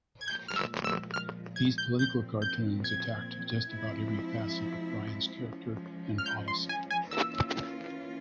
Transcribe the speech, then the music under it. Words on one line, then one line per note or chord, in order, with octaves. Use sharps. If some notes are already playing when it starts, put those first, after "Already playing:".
These political cartoons attacked just about every facet of Bryan's character and policy.
G#6
A#2 F3 G#3 G6
F6
E6
E6
F6
G#6
G6
A#2 F3 C4 G6
G6
G#6
F3 G#3 C4 E4
F3 G#3 C#4
F6
G6
C6
G#5
G#5
E3 A#3 C#4 F4 E6